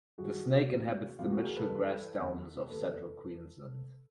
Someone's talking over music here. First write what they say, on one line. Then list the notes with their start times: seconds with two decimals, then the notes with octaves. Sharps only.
The snake inhabits the Mitchell Grass Downs of central Queensland.
0.18 G2 D#3 F#4 G#4
0.69 D2 C3 E3
1.19 D2 C3 E3 F4 G4
1.31 F#4 G#4
1.44 G#4 A#4
1.56 A4 B4
1.69 G2 E3
2.19 E2 C3 D#3
2.69 D#2 D#3 A4 B4